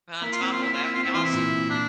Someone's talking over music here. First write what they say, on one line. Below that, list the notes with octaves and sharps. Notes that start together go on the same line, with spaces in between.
an ensemble, that'd be awesome.
A#3 E4
F4
C4 E4
F4
C4 E4
F4
E4
C4 F4
C4 E4
E3 F4
C3 E4
A#2
A#2 D4